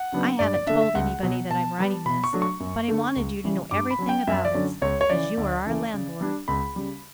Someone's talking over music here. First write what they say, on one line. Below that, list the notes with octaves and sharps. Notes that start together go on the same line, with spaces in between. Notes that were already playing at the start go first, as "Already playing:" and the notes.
I haven't told anybody that I am writing this, but I wanted you to know everything about us, as you are our landlord.
Already playing: F#5
C#3 F#3 B3 D4
G2 D5
D5
D3 A3 D4 E5
E5
C#2 F#5
B2 F#3
B2 A5
G3 B3
B2 B5
C#6
F#3 A3 D4
C#6
F#2
D3 A3
C#2
C#3 E3 G3
G2 D6
B5
F#3 C#4
G5
F#2 E5
D5
D3 F#3 C#4
C#2 C#5
C#5
C#3 E3 D5
D2
C#3 E3 A3
C#3
G3 D4
C#2 B5
C#3 G3